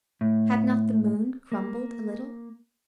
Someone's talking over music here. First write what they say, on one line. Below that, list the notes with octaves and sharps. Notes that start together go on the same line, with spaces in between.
Had not the moon crumbled a little?
A2
A#3